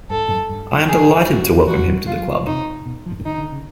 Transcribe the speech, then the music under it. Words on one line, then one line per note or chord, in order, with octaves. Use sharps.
I am delighted to welcome him to the club.
G2 A4
F#2
G2
C#3 G#4
D3
D3 F#4
D#3
F3 F#4
F#3
G3 F4
F#3
E3
C3 D#4
B2
F3
D#3 D#4
D3
C#3